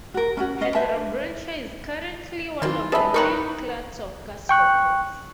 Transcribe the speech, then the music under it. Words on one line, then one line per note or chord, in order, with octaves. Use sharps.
Heterobranchia is currently one of the main clades of gastropods.
F#4 A#4
C#4 E4 F#4
C#4 D#5 F5
B4 C5 E5 A5
D4
D#3 E3 F#3 F4
C#3 B3 B4 D#5 E5 A5
D#3 G3 D#4 A#4 C#6 F#6
G5 C#6 F#6